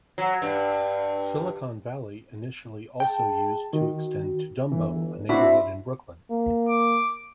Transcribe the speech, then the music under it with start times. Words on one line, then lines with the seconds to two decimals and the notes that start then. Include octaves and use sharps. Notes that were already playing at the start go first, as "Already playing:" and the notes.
Silicon Alley initially also used to extend to Dumbo, a neighborhood in Brooklyn.
0.18 F#3
0.42 G2
3.00 G#4 G5 A5
3.73 D#3 F#4
4.72 G1 E3
5.29 C4 D4 E4 F#4 B5
6.30 A#3
6.69 D6